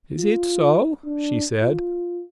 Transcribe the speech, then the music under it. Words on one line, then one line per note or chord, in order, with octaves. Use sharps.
"Is it so?" she said.
F4
D4
F4